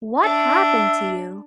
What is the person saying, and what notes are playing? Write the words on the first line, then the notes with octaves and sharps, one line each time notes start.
What happened to you?
D4 E5